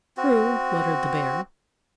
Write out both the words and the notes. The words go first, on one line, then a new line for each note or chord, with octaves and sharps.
"True," muttered the Bear.
C4 F#4